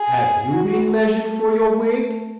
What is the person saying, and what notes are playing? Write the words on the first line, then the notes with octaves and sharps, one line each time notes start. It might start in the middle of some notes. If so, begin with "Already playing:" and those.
"Have you been measured for your wig?"
Already playing: G#4
F#4
A3